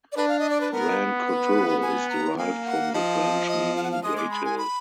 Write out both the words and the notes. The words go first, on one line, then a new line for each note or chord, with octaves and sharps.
Grand Coteau is derived from the French meaning great hill.
D5
D4 B4
F5
D#5
D5
B4
B3 A#4
B4
G#5
A#5
A#3 G#5
F#5
F3 D#5
D#5
F5
F#5
F5
G#3 D#6
D6
B5
G#5
B5